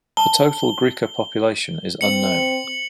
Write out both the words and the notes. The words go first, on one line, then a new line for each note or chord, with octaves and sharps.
The total Griqua population is unknown.
A5 G7
C4 C#7 F#7